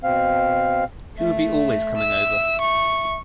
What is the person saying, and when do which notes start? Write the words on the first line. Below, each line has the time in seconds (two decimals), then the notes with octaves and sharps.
He would be always coming over.
0.04 B2 C4 F5
1.18 A3 E5
1.97 E6
2.62 C#6